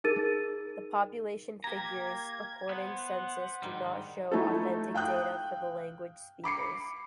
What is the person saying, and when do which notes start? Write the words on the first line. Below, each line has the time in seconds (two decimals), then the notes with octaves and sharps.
The population figures according census do not show authentic data for the language speakers.
0.04 D#4 G#4 A#4 A6 D#7
1.64 A#3 G4 A#5 G#6
2.69 B3 C5 F#5
3.62 G#2 D#3 G3
4.32 F3 A3 D#4 E4 F#4 A4
4.95 F5 G5 D#6 F#6 G6
6.44 B5 D6 C7 C#7